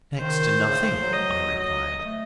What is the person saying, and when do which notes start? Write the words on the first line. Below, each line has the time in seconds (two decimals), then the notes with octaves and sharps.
"Next to nothing," I replied.
0.20 D#3 C5
0.66 C#3
0.78 D#3
0.89 F3
1.01 F#3
1.13 D#5
1.58 D#5
2.05 A3